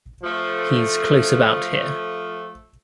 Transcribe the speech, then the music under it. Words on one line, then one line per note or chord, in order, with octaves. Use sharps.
He's close about here.
F3 A3